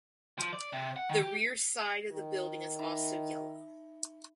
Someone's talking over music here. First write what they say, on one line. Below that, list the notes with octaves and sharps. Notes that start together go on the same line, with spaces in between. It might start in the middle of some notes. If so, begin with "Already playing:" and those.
The rear side of the building is also yellow.
F3
D5
C3
F#5
D#3
G4
D#3
D#4 E5 B5